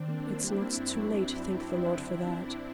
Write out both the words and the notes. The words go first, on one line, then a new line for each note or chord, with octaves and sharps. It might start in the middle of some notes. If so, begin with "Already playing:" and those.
It's not too late, thank the Lord for that!
Already playing: D#3 C4 D4
A#3
A#3 D4 E4
G3
A#3
F#2
F#3
F#3
F#2
F#3
F#2
F#2
D3
F#2
F#2